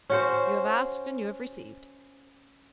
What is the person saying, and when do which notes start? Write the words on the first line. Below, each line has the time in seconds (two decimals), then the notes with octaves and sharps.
You have asked, and you have received.
0.10 C#4 F#4 C5